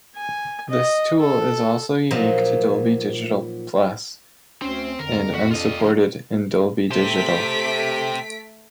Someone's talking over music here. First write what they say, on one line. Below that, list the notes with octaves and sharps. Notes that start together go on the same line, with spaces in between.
This tool is also unique to Dolby Digital Plus, and unsupported in Dolby Digital.
G#5
D#5
A4
A#2 F3 F#3 D#4
D2 C4 C#4 C5
F2 D3 A#4
F#4 B6
D4 F4 D#5
D#2 A2 C#3 F3 A3 C#4 F#4
A3 G4 C5 B6 D7